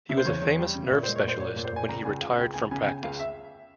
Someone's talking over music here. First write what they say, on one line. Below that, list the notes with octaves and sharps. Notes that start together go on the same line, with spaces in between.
He was a famous nerve specialist when he retired from practice.
C#3 E5
C5
E2 C#5
E2
G3
C#3
E5
A#2 C#5
C5
G#3
C#5
A#2 C5
A#2 C#5
A#2
C5
A#2 G#5
C#2 A#5
C#2 G#5
C#2 F5
C#2 G5
C#2 G#5
C#3 G#5
G5
C#3 G#5
C#2 F5
E5